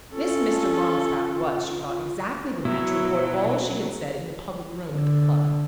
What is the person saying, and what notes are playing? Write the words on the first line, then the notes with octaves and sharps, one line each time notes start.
This Mr. Longstaff was, she thought, exactly the man to report all she had said in the public room at the club.
C#4 F4 A4
B2 F#3 E4
D3